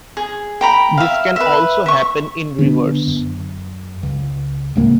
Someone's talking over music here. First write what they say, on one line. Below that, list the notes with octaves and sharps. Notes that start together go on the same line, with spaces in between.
This can also happen in reverse.
G#4
G5 A#5 B5
E5 F5
B4 E5
E5 C#6
D3 B3
F#2
C#2
D1 C#2 A#3